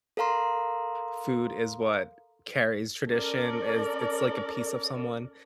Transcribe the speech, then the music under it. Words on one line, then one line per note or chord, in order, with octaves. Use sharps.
food is what carries tradition, as it's like a piece of someone,
A4 A#4 F5 A#5 C6
C#4 A4 A#4 D5